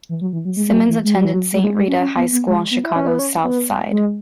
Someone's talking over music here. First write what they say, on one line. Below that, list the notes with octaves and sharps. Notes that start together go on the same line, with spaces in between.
Simmons attended Saint Rita High School on Chicago's south side.
E3
F#3
E3
F#3
G#3
G#3
F#3
E3
G#3
F#3
E3
F#3
G#3
F#3
G#3
G#3
C#4
C#4
B3
B3
G#3
B3
E4
C#4
B3
C#4
B3
G#3